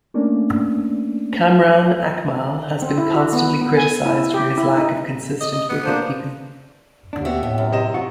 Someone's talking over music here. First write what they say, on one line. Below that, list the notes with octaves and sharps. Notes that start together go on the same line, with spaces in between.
Kamran Akmal has been constantly criticized for his lack of consistent wicket-keeping.
A3 A#3 C#4 D4 D5
C4
E4
F#4
B3
B3
G#5
E4
G4
E4
D#4
D#5
D#5
B3
A#3 D4 C5
D#2 D3 D4
B3 C4 F#4 G4 E5
F2 A2
F#2
C3 D#5 E7
C4 F4 F#4